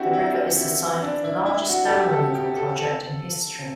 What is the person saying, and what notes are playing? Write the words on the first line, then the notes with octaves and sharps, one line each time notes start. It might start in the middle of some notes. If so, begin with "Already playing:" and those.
The river is the site of the largest dam removal project in history.
Already playing: C4 D4 E4 F#4 G4
E4
E4
D4
E4
E4
F#4
A4
G4
A4
G4
A4
A4